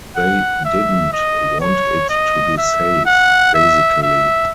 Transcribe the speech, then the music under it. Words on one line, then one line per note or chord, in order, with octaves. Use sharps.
They didn't want it to be safe, basically.
F#5
E5
D#5
C#5
D#5
E5
F#5
E5
E5